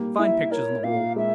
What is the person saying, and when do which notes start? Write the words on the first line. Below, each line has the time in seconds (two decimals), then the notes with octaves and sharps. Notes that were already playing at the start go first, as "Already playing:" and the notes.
Fine pictures on the wall.
Already playing: G3 A#3
0.19 E4 E5
0.51 A#4 C#5
0.83 A#2 F5
1.16 G#3 E5